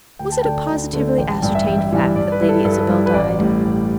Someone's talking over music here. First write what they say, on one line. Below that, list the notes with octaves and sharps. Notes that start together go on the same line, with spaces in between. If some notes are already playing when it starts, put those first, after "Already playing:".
"Was it a positively ascertained fact that Lady Isabel died?"
D2 G5
A5
D3 A3 D4 G5
D2
D3 A3 D4
A1 G5
A5
G2 E3 G3 E4 G5
E5
A1 G5
E5
G2 E3 G3 E4
G2 D5
B4
G3 E4
A4
G2 A4
B4
A4
G3 E4
B4
A1 D5
A2 G3
A1